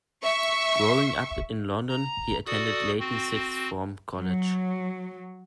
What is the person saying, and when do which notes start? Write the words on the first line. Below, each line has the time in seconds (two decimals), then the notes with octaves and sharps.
Growing up in London, he attended Leyton Sixth Form College.
0.23 E5 C#6
1.89 A#5
2.46 F#4 A4 D5 D#6
3.00 C4 F#4
4.16 F#3